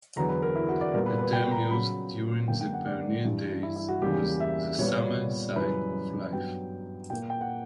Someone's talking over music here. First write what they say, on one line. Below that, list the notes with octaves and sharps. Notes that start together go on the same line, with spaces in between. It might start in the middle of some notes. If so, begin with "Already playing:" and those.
A term used during the pioneer days was the summer side of life.
E2 D3 F#3 B3 A#5
B4
A#4
E4
F#4
D5
A#2 G3 B3 A#4
B4
B4
G5
A#5
C#3 F#3 B3 B5
F#2 D3 A#3 G5
G5
F#5
D5
G2 E3 G3
E4
E4
F#4
E2 C#3 E3 G3 A#3 G4
E5
A#2 G3 B3 C#5
F#2 C#3 E3 G3 B4
G2 F#3 B3 G5
A#2 A#3 G5
G5
F#5